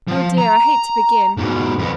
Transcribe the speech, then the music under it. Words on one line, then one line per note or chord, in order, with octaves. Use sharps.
Oh, dear, I hate to begin.
F3
A#5
G#2 B2
F2 B3